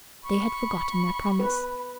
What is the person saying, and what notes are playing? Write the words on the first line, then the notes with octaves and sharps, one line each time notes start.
They had forgotten their promise.
B5 C#6
B4